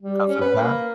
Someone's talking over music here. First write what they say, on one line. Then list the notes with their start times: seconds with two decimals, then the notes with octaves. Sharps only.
because of that?
0.03 G3
0.28 C#4
0.41 B4
0.57 A#3